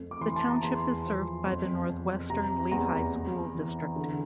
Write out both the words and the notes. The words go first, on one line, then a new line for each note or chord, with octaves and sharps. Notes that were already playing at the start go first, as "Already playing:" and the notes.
The Township is served by the Northwestern Lehigh School District.
Already playing: F2 A3
D6
E3 C6
A5
A#5
E2 C6
F3
F2
F2
C3 A#5
E2 A#5
E2
E3
D3